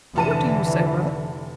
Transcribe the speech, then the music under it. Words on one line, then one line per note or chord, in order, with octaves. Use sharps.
"What do you say, mother?"
F1 D3 E3 A5 D#7